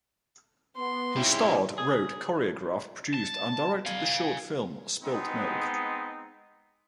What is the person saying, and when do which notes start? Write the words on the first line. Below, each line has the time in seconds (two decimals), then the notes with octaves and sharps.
He starred, wrote, choreographed, produced and directed the short film "Spilt Milk".
0.77 B3 C6
1.16 G#2 C#3 E4 G4
1.78 G#4
3.14 A5
3.86 F5 G#5
5.02 G#3 B3 C4 D#4